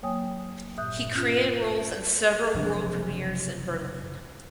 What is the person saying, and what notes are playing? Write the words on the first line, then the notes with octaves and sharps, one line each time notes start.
He created roles in several world premieres in Berlin.
F#3 A#3 C#5 G5 G#5 D#6
G2 A#2 E5 D#6 F#6 G6
C#4 F4
F#1 C3 F3 D4